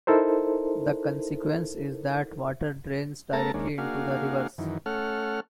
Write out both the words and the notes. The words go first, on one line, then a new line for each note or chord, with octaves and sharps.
The consequence is that water drains directly into the rivers.
D#4 E4 A4 A#4 C5
A3 B3 A4 A#4 A5 A#5
D#2 G#3 A#3 C#4 D4
A#3 D4 F#4 G#4 F5
F#2 D#3 E3
A3 C#4 A4 F#5 F6